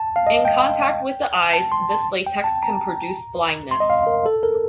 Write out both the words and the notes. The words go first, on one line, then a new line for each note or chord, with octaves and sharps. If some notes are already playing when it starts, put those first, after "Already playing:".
In contact with the eyes this latex can produce blindness.
Already playing: A5
F5
D#5
G5
A5
C6
A5
G5
A5
A#5
C6
D#5
F5
A#4
A4
A#4